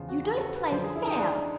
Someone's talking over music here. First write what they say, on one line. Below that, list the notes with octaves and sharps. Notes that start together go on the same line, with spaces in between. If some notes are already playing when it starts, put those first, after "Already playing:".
"You don't play fair."
Already playing: E2 C#3 F3 F4
F#4
G4
A4
B4
F#2 D3 F3 C5
G#4
E4
D#4
D4